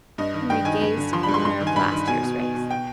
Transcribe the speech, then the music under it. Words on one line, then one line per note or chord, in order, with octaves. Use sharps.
Henry gazed at the winner of last year's race.
G2 D#5
D#3
G2 G5
D#3 G#5
G2
D3
F3 C6
B5
G2
C6
G2 C6
D#3
G#5
G2 B5
D#3
B2 G#5
B2
B2
B2
G5